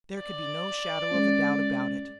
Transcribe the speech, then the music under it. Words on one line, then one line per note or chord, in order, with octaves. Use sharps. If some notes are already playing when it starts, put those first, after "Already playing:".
There could be no shadow of a doubt about it.
D5
G#3 C#4